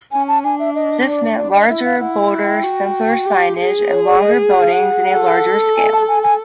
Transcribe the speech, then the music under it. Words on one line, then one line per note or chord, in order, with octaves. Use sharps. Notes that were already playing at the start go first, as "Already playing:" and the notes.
This meant larger, bolder, simpler signage and longer buildings in a larger scale.
C#4 G#5
A5
D4 G#5
E5
D#5
D5
D5
D#5
E4 E5
F5
E4 F#5
G5
F#4
G4
G#4
C#5
D5
D#5
F#5
F5
F#5
A4
G#5
A5
G#5
G#5